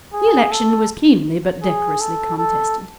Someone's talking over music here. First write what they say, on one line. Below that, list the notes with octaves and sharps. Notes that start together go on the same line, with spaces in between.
The election was keenly but decorously contested.
G#4
A4
G#4
A4
A4